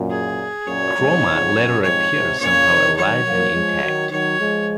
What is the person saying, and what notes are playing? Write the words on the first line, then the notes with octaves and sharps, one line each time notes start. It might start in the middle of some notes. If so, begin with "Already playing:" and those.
Chroma later appears somehow alive and intact.
Already playing: F#2 A#2
G#4
F#2 A#2 C#5
F2 G#2
F2 G#2
F#2
F2 G#2 C#5
G#2 C3
A#2 C#3 C#5
C3 D#3
D#3 F#3 C#5
F#3 A#3
F3 G#3
D#3 F#3
D#3 F#3 C#5
F3 G#3